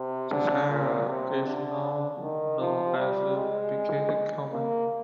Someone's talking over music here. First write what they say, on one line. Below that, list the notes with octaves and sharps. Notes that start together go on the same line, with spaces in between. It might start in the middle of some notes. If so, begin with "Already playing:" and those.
This area is now known as Bukit Koman.
Already playing: C3
D3
A#2
C3
D3
D#3
F3
G3
G#3
A#3